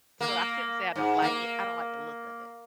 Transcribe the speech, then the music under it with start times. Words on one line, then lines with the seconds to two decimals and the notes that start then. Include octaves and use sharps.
so I shouldn't say I don't like it. I don't like the look of it.
0.21 A#3
0.96 G#2
1.22 A#3